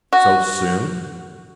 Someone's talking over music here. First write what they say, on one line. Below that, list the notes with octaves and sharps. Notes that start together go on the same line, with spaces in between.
"So soon?"
F#4